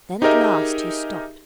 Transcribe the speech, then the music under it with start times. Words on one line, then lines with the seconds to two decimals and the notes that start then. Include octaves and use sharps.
Then at last he stopped.
0.22 D#4 G4 G#4 A#4 D#5 E5